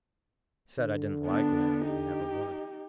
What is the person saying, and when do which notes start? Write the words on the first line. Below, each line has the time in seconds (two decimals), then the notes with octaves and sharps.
I said I did n't like Larry, and never would.
0.79 D3
1.26 B3 D4
1.85 D#4 G4